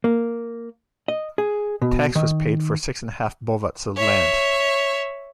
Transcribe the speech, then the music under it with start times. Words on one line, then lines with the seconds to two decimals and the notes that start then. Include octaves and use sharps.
Tax was paid for six and a half bovats of land.
0.04 A#3
1.08 D#5
1.38 G#4
1.82 B2
2.15 D#3
3.96 C#5 E5